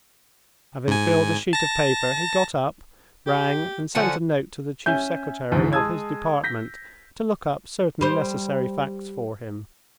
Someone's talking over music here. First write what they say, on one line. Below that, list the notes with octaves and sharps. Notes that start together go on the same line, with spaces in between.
Having filled a sheet of paper, he got up, rang, and sent a note to the chief secretary of his department to look up certain necessary facts for him.
G#2 G#5
A5 A#6
G4
D3 F3 C#4 F#5
C#4 E5 G#5 G6
D2 G#2 E3
G#3 A5 D#6 E6 G#6
G6 A#6 B6
G3 C5